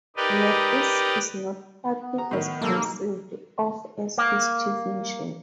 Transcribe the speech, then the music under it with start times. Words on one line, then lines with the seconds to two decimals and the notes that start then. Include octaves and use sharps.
Yet this is not what he has conceived of as his chief mission.
0.16 D#4 G4 A#4 B4 D5 D#5
1.97 B3
2.18 A#5
2.31 A2 D#3
2.61 B1 G3 A#3 A4 E6
2.77 D#4
4.18 A#3